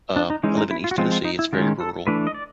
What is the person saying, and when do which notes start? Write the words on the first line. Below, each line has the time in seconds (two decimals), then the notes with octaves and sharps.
um, I live in East Tennessee, it's very rural
0.16 D4
0.30 D#4
0.43 E3 G#3 C#4 D#4
0.57 D#4
0.71 E4
0.84 F4
0.91 F#4
0.98 F3 G#3 C4 F4
1.12 F4
1.25 D#4
1.39 E4
1.53 D#3 G#3 C#4 F4
1.80 A4
2.07 E3 A3 D4 B4
2.27 D#5
2.34 D5